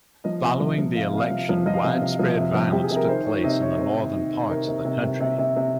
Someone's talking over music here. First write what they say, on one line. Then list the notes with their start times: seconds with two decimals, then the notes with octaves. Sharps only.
Following the election widespread violence took place in the northern parts of the country.
0.24 F3 D#5
0.42 C3
0.60 F3
0.78 F3
0.95 C3 F5
1.14 C3 F5
1.30 F3
1.49 F3
1.66 F3 D#5
1.73 F5
1.81 C3 D#5
2.02 C3
2.19 F3
2.36 C3
2.54 F3
2.72 F3 G4
2.84 G#4
2.90 C3
2.96 A#4
3.08 D#3 C5
3.25 D#3 C#5
3.43 C3 D#5
3.61 D#3 C#5
3.78 C3 C5
3.96 D#3
4.14 D#3
4.32 D#3
4.49 C3 A#4
4.68 C3
4.85 C3
5.03 C3
5.20 C3
5.39 C3
5.56 C3